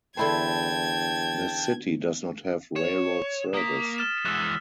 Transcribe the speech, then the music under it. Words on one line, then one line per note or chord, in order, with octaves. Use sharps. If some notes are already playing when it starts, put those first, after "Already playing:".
The city does not have railroad service.
E2 D3 E4 C5 G5 A5 G#6
C#5 E7
A#3 D#6 B6
F6 A6 E7
E3 G#3 E6 F#6